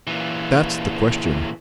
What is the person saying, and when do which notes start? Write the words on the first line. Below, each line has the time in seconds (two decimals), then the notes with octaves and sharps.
That's the question.'
0.07 A#2 E3